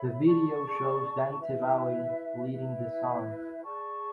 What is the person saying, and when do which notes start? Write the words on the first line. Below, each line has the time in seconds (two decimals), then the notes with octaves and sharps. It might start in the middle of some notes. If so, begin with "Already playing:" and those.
The video shows Dante Bowe leading the song.
Already playing: A4 C#5 E5 B5
0.25 G#4 D5 A5 C#6
1.39 E4 B4 E5
2.51 E4 B4 E5
3.64 G#4 D5 A5 C#6